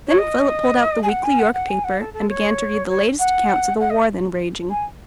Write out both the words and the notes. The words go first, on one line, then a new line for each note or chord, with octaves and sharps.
Then Philip pulled out the weekly York paper, and began to read the latest accounts of the war then raging.
C#5
D#5
G#5
F#5
G#5
F#5
F#5
G#5
F#5
A4
A4
C#5
C#5
F#5
F#5
D#5
G#5